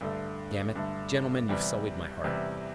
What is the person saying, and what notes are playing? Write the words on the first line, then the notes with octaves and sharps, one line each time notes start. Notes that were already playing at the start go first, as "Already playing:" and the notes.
Damn it!... Gentlemen, you've sullied my heart!
G2 D3 A3
G2 D3 A3
E2 C3 G3
E2 C3 G3